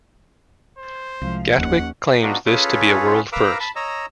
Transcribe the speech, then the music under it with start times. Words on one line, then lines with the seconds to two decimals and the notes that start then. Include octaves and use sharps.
Gatwick claims this to be a world-first.
0.78 C5
1.22 C2 F3 G#3 F5
1.57 F1 D#2 C#4 F#5
2.22 B3 D4 D#4 F4 F#4
2.46 C#4 F4 G#4 A4 B4 C#5
3.32 A#4 B4 F5 A#5 D6 E6
3.60 A5 B5
3.76 C#5 D#5 A#5 E6